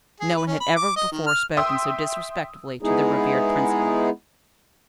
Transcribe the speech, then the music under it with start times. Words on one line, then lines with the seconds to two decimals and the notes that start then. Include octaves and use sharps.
No one had ever before spoken so disrespectfully to their revered principal.
0.20 G#4
0.36 B4
0.47 C#4
0.60 B5
0.76 D6
0.96 D#5
1.12 D#3
1.26 F6
1.57 E5 G5 C6 D#6 E6
2.82 G#3 B3 D#4 E4 G#4